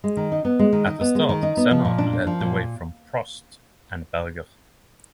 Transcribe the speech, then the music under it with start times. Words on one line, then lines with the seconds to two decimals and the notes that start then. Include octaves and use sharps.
At the start, Senna led the way from Prost and Berger.
0.04 G#3
0.17 D#3
0.32 D#4
0.45 B3
0.59 G#3
0.72 D#3
0.87 D#4
1.01 B3
1.15 G#3
1.29 D#3
1.43 D#4
1.57 B3
1.71 F3
1.85 A#2
1.98 D4
2.13 A#3
2.27 F3
2.41 A#2